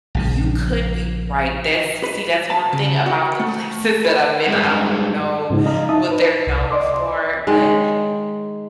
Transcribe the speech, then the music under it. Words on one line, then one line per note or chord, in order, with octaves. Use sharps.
You could be right, that's see, that's one thing about the places that I've been, I don't know what they're known for, but,
A#1 C#3 F3
B4
A5
C#3
F#4
A3
B4
G2 G#3
G#2 C#3 F3 G#3 D#4
D#5 F5 A#5
D#4 E5 A5 D#6
B4
C2
D5 D#5 C6 D6
D#3 G#3